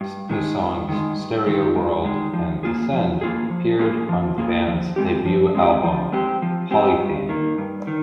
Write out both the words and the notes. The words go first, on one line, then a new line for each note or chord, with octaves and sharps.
The songs "Stereo World" and "Descend" appeared on the band's debut album "Polythene".
G2
D#3 G#3
G2
D#3 G#3
G2
D#3 G#3
G2
D#3 G#3
F3
A#3 F4 G#4
F3
A#3 F4 G#4
F3
A#3 F4 G#4
F3
A#3 F4 G#4
F3
G#3 C4 G4
F3
G#3 C4 G4
F3
G#3 C4 G4
F3
G#3 C4 G4
G2
D#3 A#3
G2
D#3